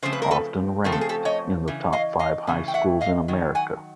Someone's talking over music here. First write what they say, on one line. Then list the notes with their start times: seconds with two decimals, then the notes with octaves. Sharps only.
Often ranked in the top five high schools in America.
0.03 C#3 F3 A3 C4 C5
0.13 B4
0.22 A#4
0.31 A4 B4
0.84 C#3 F3 A3 C4 A#4
0.92 A4
1.01 G#4
1.09 G4 A4
1.25 C#5 D#5
1.68 C#3 E3
1.93 D#5 F5
2.19 D#5 F5
2.47 C#3 E3 A3
2.68 G5
2.74 E5 F#5
3.01 D#5 F5
3.28 D#3 F#3
3.55 F#5 G#5